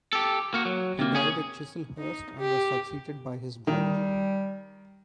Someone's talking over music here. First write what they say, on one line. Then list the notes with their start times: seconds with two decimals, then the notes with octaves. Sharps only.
He died at Chislehurst, and was succeeded by his brother.
0.13 G4 A4
0.54 A#3 F#4
0.65 F#3
0.99 C3 A#3
1.15 C#4 G#4
1.98 D#4
2.39 G4
3.67 D#3 G3